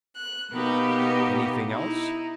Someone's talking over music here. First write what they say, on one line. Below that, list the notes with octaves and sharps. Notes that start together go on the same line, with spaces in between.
"Anything else?"
F#6
B2 A#3 B3 D#4 G4
D#4 E4